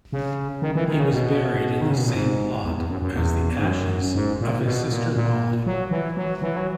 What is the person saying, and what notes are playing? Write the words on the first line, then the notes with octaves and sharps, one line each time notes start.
He was buried in the same plot as the ashes of his sister Molly.
C#3
D#3
E3
D#3
C#3
B2
D#3
C#3
B2
A#2
G#2
E2
E2
F#2
F#2
E2
G#2
F#2
G#2
A#2
B2
A#2
A#2
F#3
E3
F#3
E3
F#3